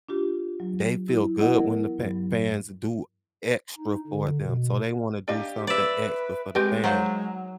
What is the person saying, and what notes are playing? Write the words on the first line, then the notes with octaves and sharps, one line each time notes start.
they feel good when the pa fans do extra for them, so they wanna do something extra for the fan.
D4 F4 G4
F#3
E4
B3 E4 D#5 F#5
E3 A#4
G2 F#3
D#4
D3
B2
D4 D#4 G4 F5
B4 D5 E5
G#3 C4 G4 B4
D#3 F#3 C5 F5